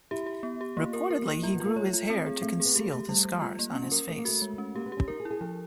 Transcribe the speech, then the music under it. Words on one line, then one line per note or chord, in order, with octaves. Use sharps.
Reportedly he grew his hair to conceal the scars on his face.
E4 G4
G4
B3
G4
A#3 F4
A#4
A#4
A#3
E4 F4
B3
F4
A#3
A3 C#5
F4
C4
G#4
A3 C4
G#4
B3
A#3 G4
A3 G4
G3 A3
G3
F4
A#3
C#4
F3
F#3 A#4
A3 A#4
A#3
A3 F#4
G#3
C#4
A#3 G4
B3
G4
C#4
D#4 A#4
G#4
E4
G#4
F3 A4